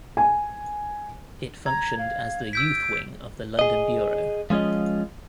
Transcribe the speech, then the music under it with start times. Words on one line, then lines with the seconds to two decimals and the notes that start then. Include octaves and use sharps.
It functioned as the youth wing of the London Bureau.
0.17 G#5
1.66 A#5 G#6
1.98 F5
2.53 E6 G6 B6 D7
3.59 G#4 D#5
4.50 F3 G#3 C#4 F4 D#5